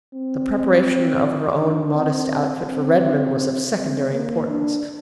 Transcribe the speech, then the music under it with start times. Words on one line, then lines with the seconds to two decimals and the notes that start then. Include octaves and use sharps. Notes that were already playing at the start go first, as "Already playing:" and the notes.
The preparation of her own modest outfit for Redmond was of secondary importance.
0.14 C4
1.58 D4
1.94 C4
2.68 C4
3.76 C4
4.12 A#3
4.49 D4